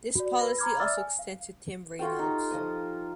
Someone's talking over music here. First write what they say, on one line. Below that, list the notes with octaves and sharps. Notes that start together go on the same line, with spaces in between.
This policy also extends to Tim Reynolds.
F#4 D5
B4 B5 A#6
A#5 B5 D6 F6 G#6
D5 E5 D6 E6 F6 A6
G#5
F5
F4 F#4 A4 G5
D#4 G4
F3 D#5 D#6